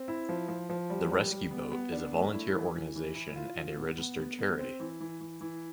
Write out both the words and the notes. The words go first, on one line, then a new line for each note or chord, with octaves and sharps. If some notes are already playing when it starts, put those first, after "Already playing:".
The Rescue Boat is a Volunteer Organisation and a Registered Charity.
Already playing: C4
E4
F3
F3
F3
G3
G3
G3
B3
B3
D4
A3
E4
E3
E3
E3
E4
F4
F4
B3
B3
B3
B3
C4
E3
E3
E3
E3